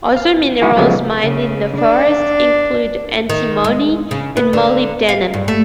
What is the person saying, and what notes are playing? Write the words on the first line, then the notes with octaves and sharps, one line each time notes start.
Other minerals mined in the forest include antimony and molybdenum.
F5
G#3 D#4 E4 F#4 G#4
C#3 F3 F#3 G#3 A3 B3
C#3
D4
D#3
G#3
C#3
B3
D3
F5
G2
A3